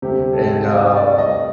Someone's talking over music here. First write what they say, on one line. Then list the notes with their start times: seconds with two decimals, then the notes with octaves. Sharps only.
And, um
0.02 D2 C3 G3 C4 G4
0.33 A4
0.65 F5
0.96 D5
1.18 D#5